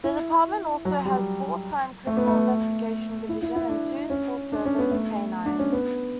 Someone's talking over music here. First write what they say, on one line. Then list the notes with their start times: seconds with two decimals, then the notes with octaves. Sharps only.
The department also has a full-time Criminal Investigation Division and two full service canines.
0.04 E4
0.85 F#3
1.05 G3
2.07 A3
2.17 B3
2.27 A3
3.29 E4
3.42 E4
3.56 E4
3.69 D4
4.10 C#4
4.52 D4
4.65 C#4
4.79 B3
4.91 A3
5.46 D4
5.59 C#4
5.72 B3